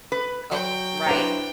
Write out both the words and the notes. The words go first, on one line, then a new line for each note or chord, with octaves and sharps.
Oh, right.
B4
F#3 G5
D4 E4 B4 C5 A#5